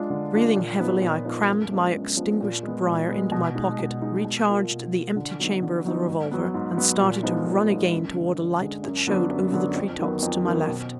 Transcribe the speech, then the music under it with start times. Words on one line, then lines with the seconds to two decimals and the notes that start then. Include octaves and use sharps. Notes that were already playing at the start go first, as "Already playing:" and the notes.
Breathing heavily, I crammed my extinguished briar into my pocket--re-charged the empty chamber of the revolver--and started to run again toward a light that showed over the treetops to my left.
Already playing: G#3 D4 F4
0.10 D3
0.33 G#3 D4 F4
0.57 A#2
0.80 F3 B3 D#4
1.02 A#2
1.25 F3 B3 D#4
1.48 F#2
1.71 F3 G#3 B3 D4
1.94 F#2
2.17 F3 G#3 B3 D4
2.41 A#2
2.63 G#3 B3
2.86 A#2
3.08 G#3 B3
3.32 B2
3.55 G#3 D#4
3.79 B2
4.02 G#3 D#4
4.24 B2
4.46 A#3 F4
4.70 B2
4.93 A#3 F4
5.16 D3
5.40 F#3 B3 D#4
5.62 D3
5.85 F#3 B3 D#4
6.08 G#2
6.31 F#3 B3
6.54 G#2
6.77 F#3 B3
7.00 A#2
7.23 F3 G#3 B3 D#4
7.47 A#2
7.69 F3 G#3 B3 D#4
7.92 F#2
8.14 D3 G#3
8.37 F#2
8.61 D3 G#3
8.84 F#2
9.07 D3 F#3 B3 D4
9.30 F#2
9.52 D3 F#3 B3 D4
9.75 F2
9.99 D#3 F#3 B3
10.22 F2
10.45 D#3 F#3 B3
10.68 B2